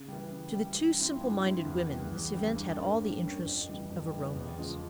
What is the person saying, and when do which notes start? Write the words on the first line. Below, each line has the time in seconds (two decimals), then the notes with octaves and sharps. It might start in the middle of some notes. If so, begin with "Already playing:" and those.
To the two simple-minded women this event had all the interest of a romance.
Already playing: C#3
0.08 E3 G3
0.31 C#3
0.53 E3 G3
0.76 G2
0.99 F3 C4 E4
1.21 G2
1.43 F3 C4 E4
1.66 E2
1.88 C#3 E3 G3
2.10 E2
2.33 C#3 E3 G3
2.55 G2
2.78 G3 A#3 C#4
3.01 G2
3.23 G3 A#3 C#4
3.45 F2
3.68 C#3 E3 G3
3.90 F2
4.13 C#3 E3 G3
4.35 E2
4.58 C#3 F3 G#3